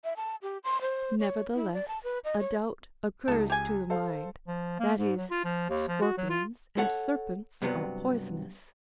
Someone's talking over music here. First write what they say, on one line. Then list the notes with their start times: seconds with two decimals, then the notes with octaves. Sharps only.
Nevertheless a doubt occurs to the mind--that is, scorpions and serpents are poisonous.
0.04 E5
0.17 A5
0.42 G4
0.64 C6
0.81 C5
1.20 C#5
1.55 E4
1.73 D5
1.88 A5
2.04 B4
2.24 D#5
2.40 C#5
3.28 C#2 D#4 A4
3.50 G4 G#5
3.90 A4 C5 F5
4.47 F3
4.79 A#3
4.98 G#2
5.17 F#3
5.31 F4
5.44 F3
5.69 D#2
5.88 F3
6.02 F#4
6.18 F#3
6.30 F4
6.78 A4 C#5 F#5
7.62 G2 C3 F#3 B3